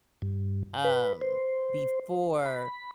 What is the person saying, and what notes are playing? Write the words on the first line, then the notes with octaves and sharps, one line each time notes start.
Um, before
G2
B4
C5
B5